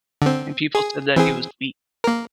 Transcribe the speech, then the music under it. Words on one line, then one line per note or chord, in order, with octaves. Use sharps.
And people said that he was weak.
D3 C4
G#4
E3 C4 G#4
A#3 A#4